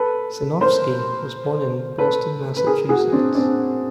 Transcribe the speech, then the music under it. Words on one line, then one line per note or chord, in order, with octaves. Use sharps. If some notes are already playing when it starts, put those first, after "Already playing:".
Sinofsky was born in Boston, Massachusetts.
Already playing: A4 B4
A#4 C5
A4 B4
B4
G#4 A#4
F#4 G#4
C4 D4
C4 D4